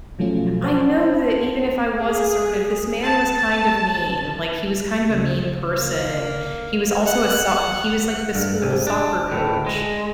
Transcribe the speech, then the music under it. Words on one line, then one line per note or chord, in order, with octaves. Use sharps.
I know that even if I was assertive, this man was kind of mean, like, he was kind of a mean person. He was also a soc he was, like, the school soccer coach,
B2 F3 F#3 A3 C#4 F4
C5 C#5 F#5 A5 C6
G#4
A5
D2 C#3
A#3
F#5
G2
C2 G#2
D4
D2 A2
G#3